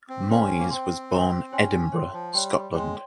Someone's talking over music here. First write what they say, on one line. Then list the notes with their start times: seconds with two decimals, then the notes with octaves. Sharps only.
Moyes was born Edinburgh, Scotland.
0.09 C4
0.29 C#4 C5 G5 C6
0.59 A#3
0.70 C4 C5 G5 C6
1.11 C5 G5 C6
1.52 C#4 C#5 G5 C6
1.92 C#5 G5 C6
2.13 F3
2.33 G3 C#5 G5 C6
2.74 G#3 C#5 G5 C6